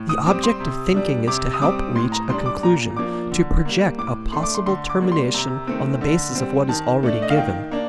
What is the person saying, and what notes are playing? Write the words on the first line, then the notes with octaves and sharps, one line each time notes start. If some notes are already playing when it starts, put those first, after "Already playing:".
The object of thinking is to help reach a conclusion, to project a possible termination on the basis of what is already given.
Already playing: A2
D#6
G3 C4 D6
C6
C3
G3 D4
C3 D6
D#6
G3 C4 D6
A2 C6
A#5
G3 D4 C6
D6
A#2 A#5
F3 A#3 D4 D6
D3
G3 A#3
A2 D6
A3 D4 C6
D6
C6
D3 C6
D6
G3 A#3 D4
C6
C3 A#5
D#3 A3 C4
D3
G3 C4
D#3 A5
A3 D4
D#5
F5
D#3 G5
A#3 D4